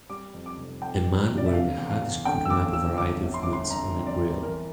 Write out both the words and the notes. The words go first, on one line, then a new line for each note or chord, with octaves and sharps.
A man wearing a hat is cooking up a variety of meats on a grill.
G3 D6
F2
D6
F1
F2 G5
F2
C3
D5
E5
D3 F5
E2
F5
E2
D3 G5
E6
E2 D6
E2 E6
G1 D6
G1
C6
G1 D6
C6
G1 A#5
F2
D5
G1
E3 A#4